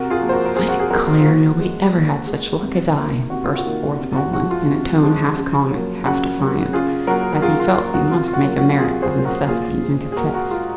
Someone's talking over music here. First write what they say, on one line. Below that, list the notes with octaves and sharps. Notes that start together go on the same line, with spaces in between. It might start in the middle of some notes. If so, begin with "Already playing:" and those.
"I declare nobody ever had such luck as I," burst forth Roland, in a tone half comic, half defiant, as he felt he must make a merit of necessity, and confess.
Already playing: C3 F#4 A#4
F4 G#4
F3 A#3
C5
F#4 A#4
A#4
C3 G#4 C5
F#4
G#4
F3 A#3 F#4 A#4
F4
A#2 F#4
G#3
A#2
G#3
C3
D#3 A#3
C3 F#4
F4
F#4
D#3 A#3
C3
F#4
F3 G#3 F#4
F4
C3
F3 G#3
C#3
F#3 A#3
C#3 F#4
F#3 A#3
C#3 F4 G#4
F#3 A#3 F#4 A#4
A#4
C#3 F4 G#4
F4
F#3 A#3 F4
F#4
C3 F4
F4
F#4
F#3 A#3
F#4
C3 F4 G#4
G#4 C5
F#3 A#3 C5
F#4 A#4
A#2 F4 G#4
G#3
G#4
A#2 F#4 A#4
F#4
G#3 F4